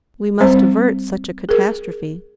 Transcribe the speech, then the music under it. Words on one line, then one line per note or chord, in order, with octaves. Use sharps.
We must avert such a catastrophe.
G3 C4 C5
G#4 A#4